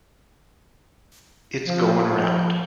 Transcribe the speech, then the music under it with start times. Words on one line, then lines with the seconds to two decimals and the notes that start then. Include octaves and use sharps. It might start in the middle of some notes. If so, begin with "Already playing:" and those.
It's goin' round.
1.67 F3